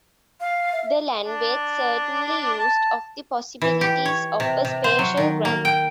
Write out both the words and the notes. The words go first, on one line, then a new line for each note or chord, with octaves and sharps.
The language certainly used of the possibilities of a spatial grammar.
F5
E5
D4
A5
E3
G4
C#5
C3
C3
C5
F#3
D#3
A#3
G5